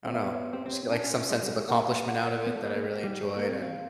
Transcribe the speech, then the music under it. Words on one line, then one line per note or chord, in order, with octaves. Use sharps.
I don't know. Just get, like, some sense of accomplishment out of it that I really enjoyed, and
C4
B3 E5
C#5
C4 G4
C4
C#5
D4 G#5
C#4
F4
C#4
G#3 D#5
G3
A#4
G#3
A#3 F#5
A#4
F#5
C#5
B3 C#4
A3
A#3 B4
A#3
G4
G3 G4
G#3 C#5
A#3
A#4
C4
C4 F5